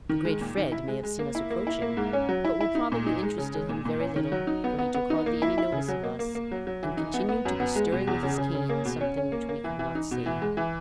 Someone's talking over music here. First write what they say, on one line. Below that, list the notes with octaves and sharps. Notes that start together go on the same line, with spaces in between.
The great Fred may have seen us approaching, but we probably interested him very little, for he took hardly any notice of us and continued to be stirring with his cane something which we could not see.
D#3
G#3
A#2
D#3
E4
G#3
G#3
A#3
E4
A#3
E4
A#3
G#2
C#4
F#3
E4
E4
D#4
A#2
D#4
G#3
C#3
G#3
A#2
A#2
C#4
D#3
F#3
D#4
B3
B3
B3
D#4
A#3
E4
E4
C#3
F#3
A#3
A#3
A#3
F#3
F#3
E3
D#4
B3
B3
F#2
B3
G#3
B2
E2
C#3
C#3
C#3
A#3
B2
C#4
C#4
A#3
A#3
E3
E3
D#4
B2
E3
G#3
E3